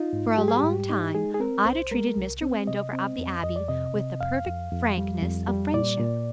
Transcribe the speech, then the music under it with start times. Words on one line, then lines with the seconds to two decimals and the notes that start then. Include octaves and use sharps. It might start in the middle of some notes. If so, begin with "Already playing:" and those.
For a long time Ida treated Mr. Wendover of the Abbey with the perfect frankness of friendship.
Already playing: D#4 F4
0.13 G#2
0.38 G3 G4
0.48 G#4
0.57 G4
0.63 G#2
0.89 D#4
1.15 G#3 G#4
1.34 G#4
1.40 C4 A#4
1.65 C2 C5
1.91 G#3 A#4
2.16 C2
2.42 C4
2.67 C3 D#5
2.93 C4
3.18 F2
3.43 F2 D#5
3.56 D5
3.68 C3 D#5
3.95 C3
4.21 F2 F5
4.46 F2
4.72 F2
4.98 G3
5.23 F2
5.48 G3
5.74 A#2 D5
5.99 A#2